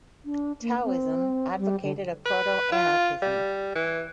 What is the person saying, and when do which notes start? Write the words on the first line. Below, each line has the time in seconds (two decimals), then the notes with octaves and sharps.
Taoism advocated a proto-anarchism.
0.25 D4
0.62 A#3
0.84 C4
1.58 G3
1.83 D3
2.26 B4
2.72 F4
3.22 G3
3.75 E3